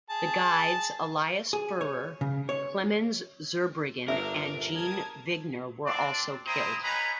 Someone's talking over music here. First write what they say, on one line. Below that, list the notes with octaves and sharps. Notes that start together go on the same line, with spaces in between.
The guides Elias Furrer, Clemenz Zurbriggen and Jean Vuignier were also killed.
G#4 A5
G#4
C#5
C#3
C#5
G1 D4 A#4 E5
A5 D#6 G#6
C4 D4 D5
E4 C5 G5 A#5 D#6
C#4 D#4 G#4 B4 A#5 B5